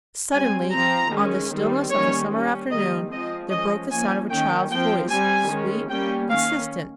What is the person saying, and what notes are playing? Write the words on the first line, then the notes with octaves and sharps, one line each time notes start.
Suddenly on the stillness of the summer afternoon there broke the sound of a child's voice, sweet, insistent.
G3 C4 G#5
F3 C4 A#5
D#3 G#3 C#4
D#3 G3 C4
D#3 G3 A#3 C#4 C#5
G3 C#4
D#3 G3 A#3 D#5
F3 G#3 C4 D#5
F3 G#3 C#4 D#5
F3 A#3 C#4 G#5
D#3 A#3 C#4 G5
F3 C4 G5
G3 C4 G#5
D#3 G#3 C#4
G3 A#3 C#4 G5
D#3 A#3 C#4 F5